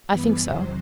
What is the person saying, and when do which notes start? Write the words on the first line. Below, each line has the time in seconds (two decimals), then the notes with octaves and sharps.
"I think so."
0.09 G2 E3 G3 B3 B4
0.41 E2 C3 D#3 F#3 C5